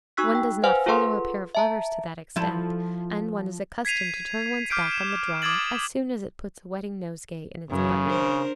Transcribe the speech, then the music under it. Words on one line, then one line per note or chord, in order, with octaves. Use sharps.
One does not follow a pair of lovers to that extent, and one is accustomed to turn one's back on the drama as soon as it puts a wedding nosegay in its buttonhole.
D#4 F#4 C#6 E6 F#6 B6
G5
B4 C5 F5 F#5 G#5 F6
F4 G#4 A4 B4 F#5 C6
E5 A5 A#5
F3 E4 A4
G#6 B6 C7 D#7 F7
D6 F6 G6 C7 D7
E7
D6 D#6 F6 G#6 A6 F#7
F#2 C#3 E3 F#4
D4 A#4 C5